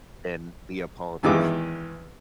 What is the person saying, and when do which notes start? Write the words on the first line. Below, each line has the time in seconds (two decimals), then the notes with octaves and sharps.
than be a politician.
1.23 E2 D#3 E3 G#3 D6